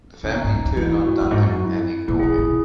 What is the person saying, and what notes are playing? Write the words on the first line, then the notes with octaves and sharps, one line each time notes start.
The family turn on Duncan and ignore him.
C#3 C#4
B2 D#4
G#2
E2
E2
E2 E4
E4
G#2
F#4
F#2
G#2
F#2
E4
A#2 E4
G#4
B2
G#4
B2
E4